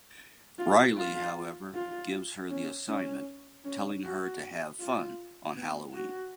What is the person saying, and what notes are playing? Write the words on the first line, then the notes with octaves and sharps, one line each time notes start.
Riley, however, gives her the assignment, telling her to have fun on Halloween.
F4
F4
F4
C#4
C#4
C#4
F#4
F4
B3
F#4